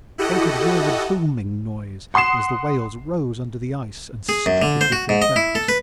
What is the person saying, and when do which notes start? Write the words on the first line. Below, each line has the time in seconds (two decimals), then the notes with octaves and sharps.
One could hear the 'booming' noise as the whales rose under the ice and struck it with their backs.
0.18 E4 F#4 G4 A4 D#5 F#5
2.14 F#5 C6 D#6 C7 E7
4.29 G#4
4.46 F#2
4.62 D3
4.81 C5
4.92 F#4
5.09 G#2
5.22 D#5
5.36 E4
5.55 A4
5.69 B4